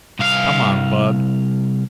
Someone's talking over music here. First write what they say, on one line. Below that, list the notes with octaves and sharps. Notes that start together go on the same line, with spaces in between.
Come on, Bud.
C2 F5